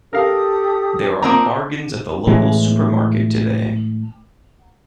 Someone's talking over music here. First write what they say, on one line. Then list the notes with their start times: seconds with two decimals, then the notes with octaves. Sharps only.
There are bargains at the local supermarket today.
0.13 G4 A4 A#4 F5 D#6
1.22 A#3 C4 D4 F4 F#5 A#5 D#6
2.27 A2 E3 G#3